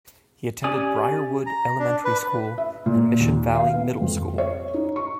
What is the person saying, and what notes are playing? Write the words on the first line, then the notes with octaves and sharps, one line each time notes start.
He attended Briarwood Elementary School and Mission Valley Middle School.
C#4 G4 D5 G#5 D#6
A#5
D4
B4
E5
A#2
D#2
F5
B3
F2
C#5
D#4
C#6